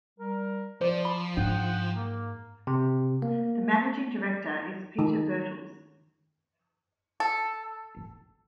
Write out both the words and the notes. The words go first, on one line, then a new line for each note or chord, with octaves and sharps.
The managing director is Peter Birtles.
G3 A#4
F3 C5 D5
B5
G#2 D4 F#5 G5
A#3
C3
A#3
D#3
A4